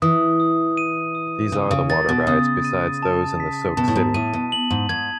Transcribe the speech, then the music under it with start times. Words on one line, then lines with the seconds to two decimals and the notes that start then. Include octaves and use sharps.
These are the water rides besides those in the Soak City.
0.02 E3 D#6
0.40 D#6
0.77 D#7
1.15 D#6
1.52 C#3 D#6
1.71 C#3
1.90 D#3 A6
2.09 B2
2.27 C#3 D#6
2.65 D#7
3.03 A5
3.40 B6
3.77 B2 A5
3.88 A2
3.96 G#2
4.14 A2 D#7
4.33 B2
4.52 F#7
4.71 G#2
4.89 G#2 G#6